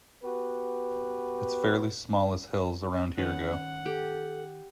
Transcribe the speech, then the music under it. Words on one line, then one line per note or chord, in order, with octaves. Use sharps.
It's fairly small as hills around here go.
B3 F#4 G4 B4
D#3 C#4 B4 F#5
G4 A4